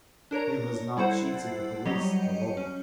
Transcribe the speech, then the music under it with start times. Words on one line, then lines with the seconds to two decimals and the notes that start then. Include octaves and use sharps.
Who has not cheated the police, the law?
0.31 D4 A#4 C#5 A#5
0.97 G3 E4 A4 C5 F#5
1.85 F#3 G3 G4 C#5 D#5
2.57 C#4